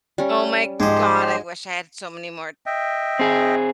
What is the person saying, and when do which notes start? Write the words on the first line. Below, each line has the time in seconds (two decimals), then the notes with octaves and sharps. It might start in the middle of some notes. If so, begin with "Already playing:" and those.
Oh my God, I wish I had so many more
0.18 G3 C#4
0.80 G#2 F3 G#3 G4 C5 D#5
2.66 D#5 E5 G5
3.19 C4 G#4